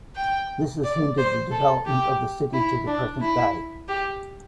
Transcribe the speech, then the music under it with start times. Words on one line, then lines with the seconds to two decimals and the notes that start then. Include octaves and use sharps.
This has hindered the development of the city to the present day.
0.16 G5
0.84 D5
1.18 C5
1.51 A4
1.86 G4
2.53 E4
2.87 D4
3.21 E4
3.88 G4